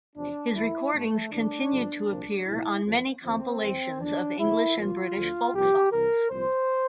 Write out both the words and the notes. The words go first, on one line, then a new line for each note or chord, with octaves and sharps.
His recordings continued to appear on many compilations of English and British folk songs.
E2 C3 F3 D4
E2 E3 E4
G2 E3 A3
E2 C3 E3 D4
G2 D3 F3
C2 A#2 F3
C2 A#2 F3 E4
F2
E3
E2 D3 F3 C4
F2 E3
E2 D3 F3 D4
D2 C3 F3 E4
C2 A#2 F3 F4
D2 D3 F3
C2 A#2 F3 G4
C2 C3 E3 A#4
C2 A#2 F3 C5